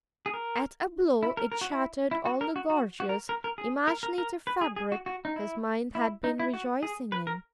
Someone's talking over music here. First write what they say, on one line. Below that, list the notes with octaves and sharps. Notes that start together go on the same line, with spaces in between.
At a blow, it shattered all the gorgeous imaginative fabric his mind had been rejoicing in.
G#4
A#4
E4
A#4
A#4
F#4
E4
E4
F#4
A#4
F#4
F#4
F#4
A#4
A#4
A#4
G#4
A#4
A#4
A#4
B4
G#4
G#4
F#4
F#4
D#4
E4
E4
D#4
E4
F#4
G#4
B4
A#4